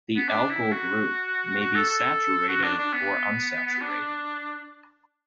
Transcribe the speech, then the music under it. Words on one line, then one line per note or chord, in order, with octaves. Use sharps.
The alkyl group may be saturated or unsaturated.
B3
D4
E4
F#4
F#4
A4
A4
F#4
D4
D4
B3
D4